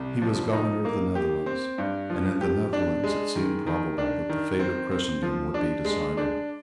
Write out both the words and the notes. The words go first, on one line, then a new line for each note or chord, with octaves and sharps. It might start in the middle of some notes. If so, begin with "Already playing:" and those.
He was Governor of the Netherlands; and in the Netherlands it seemed probable that the fate of Christendom would be decided.
Already playing: C2
F3
D#4
A#3
G4
C4
G2
F3
G4
D4
G#3
D#3
D#3
D4
D#3
C4
C4
F3
D4
G#3
D4